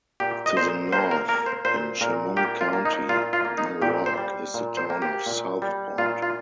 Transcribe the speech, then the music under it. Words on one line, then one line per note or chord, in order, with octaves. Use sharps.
To the north, in Chemung County, New York, is the town of Southport.
A#2 G4
D#5
A#2 C5
A#3 C5
A#4
A#3 A#4
C5
A#2 C5
A#2 A#4
A#3 G4
F4
A#3
D#4
A#2 F4
F4
A#3
D#4
A#2 G4
C5
G3
A#2
C5
A#3
G4
A#2
G3
A#2 F4
F4